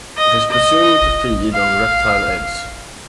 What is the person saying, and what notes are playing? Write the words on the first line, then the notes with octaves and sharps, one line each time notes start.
It is presumed to feed on reptile eggs.
D#5
D#5
F5